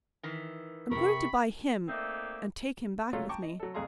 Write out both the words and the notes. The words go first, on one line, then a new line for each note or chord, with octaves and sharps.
I'm going to buy him and take him back with me.
D#3 E3
C3 A#4 B5 C#6
A3 A#3 C4 D#4 D5 E5
F#3 G#3 A3 C#4 F4
G5 A5 A#5 C#6 D6
D#5
F#3 A4
C2 F2 G#4 F5 A#5 C6